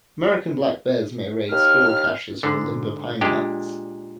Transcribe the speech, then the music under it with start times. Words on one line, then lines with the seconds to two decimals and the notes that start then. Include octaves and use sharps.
American black bears may raid squirrel caches for limber pine nuts.
1.51 D#2 F6
2.43 G#2 D3
3.21 A#2 G#3 D4 G4